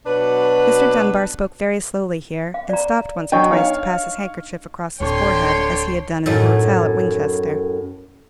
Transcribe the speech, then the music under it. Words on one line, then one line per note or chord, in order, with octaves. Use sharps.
Mr. Dunbar spoke very slowly here, and stopped once or twice to pass his handkerchief across his forehead, as he had done in the hotel at Winchester.
B2 F#3 D4 B4
F5
D5 A#5
F#3 D4 D#5 G5 C#6
D#4 C#5 F5
D1 D3 C#5 G5 C6
F#2 A2 D#4